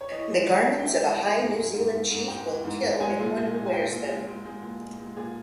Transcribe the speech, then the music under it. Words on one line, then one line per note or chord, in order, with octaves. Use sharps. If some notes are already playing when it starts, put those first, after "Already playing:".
The garments of a high New Zealand chief will kill anyone who wears them.
C#5
E3 D#5
G#3
G#3
G#3
G5
E3 E5
G#3
G#3
G#2
G#2
G#2
G#2
G#2
G#3 G5
E3
G#2
G#2
G#3 G#5
A#2
G#3
A#2
G#5
A#2 G5
A#2
G#3
G#3
G#3
A#2
G#3
G#3
A#2 G#4